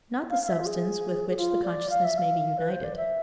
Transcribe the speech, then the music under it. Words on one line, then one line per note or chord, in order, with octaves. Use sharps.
Not the substance with which the consciousness may be united.
F5
F5
E5
F4
G#4
G#4
F4
D5
F5
E5
F5
B4
C5
D5
E5